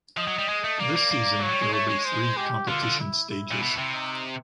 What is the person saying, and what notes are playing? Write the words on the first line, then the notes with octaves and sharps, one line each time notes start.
This season there will be three competition stages.
F3 D#5
F#3
G3
G#3
A3
A#3 D5
A#3
A#3
F#3 C#5
G3
G#3
A3 C#5
G#3
C5
G4
D3 F4
D3
E4
E4
A#2
B2
C3
D#4